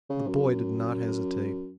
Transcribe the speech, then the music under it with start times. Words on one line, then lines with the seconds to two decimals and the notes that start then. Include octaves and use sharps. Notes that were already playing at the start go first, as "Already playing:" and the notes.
The boy did not hesitate.
0.10 C#3
0.27 F#2